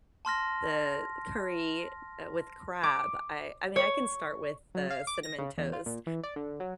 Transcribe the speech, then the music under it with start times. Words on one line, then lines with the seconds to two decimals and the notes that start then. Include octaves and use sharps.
the curry, uh, with crab, I I mean I can start with the cinnamon toast,
0.25 A5 C6 F6 A#6
2.83 D6
3.76 C#5
4.75 F#3
4.90 F5
5.07 D6
5.23 A#6
5.39 C#3
5.58 E2
5.73 F4
5.86 A#2
6.07 E3
6.23 D5
6.36 D3
6.60 F#3